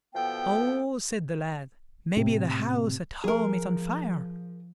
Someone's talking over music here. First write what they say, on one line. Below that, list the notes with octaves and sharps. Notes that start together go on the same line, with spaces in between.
'Oh', said the lad, 'maybe the house at home is on fire!'
B2 F3 B3 A4 G5
A2 C3
F3 G#4 A#4